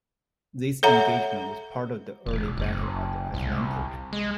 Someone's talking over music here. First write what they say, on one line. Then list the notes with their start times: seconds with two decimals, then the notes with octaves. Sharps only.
This engagement was part of the early Battle of the Atlantic.
0.83 A4 C#5 E5 F#5 A#5
2.26 E1
2.58 F#1
3.34 C2
4.13 G#3